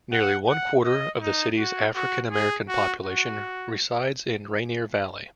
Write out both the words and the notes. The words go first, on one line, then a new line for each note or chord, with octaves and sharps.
Nearly one quarter of the cities' African-American population resides in Rainier Valley.
F#5
F#5
D#5
D#4
F#4
F#4
G#4
F#4
F#4